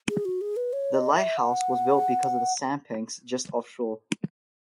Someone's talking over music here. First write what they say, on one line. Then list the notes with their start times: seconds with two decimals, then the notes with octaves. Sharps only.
The lighthouse was built because of the sandbanks just offshore.
0.09 G#4
0.25 F#4
0.41 G#4
0.56 B4
0.73 C#5
0.94 D#5
1.15 E5
1.37 F#5